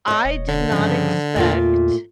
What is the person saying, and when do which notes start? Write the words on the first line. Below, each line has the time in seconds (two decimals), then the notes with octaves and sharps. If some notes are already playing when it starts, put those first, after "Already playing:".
I did not expect
0.08 C#5 D#5
0.25 E1
0.48 D3
0.72 G2 C#3 F3
1.36 E2 A#2 A3 F4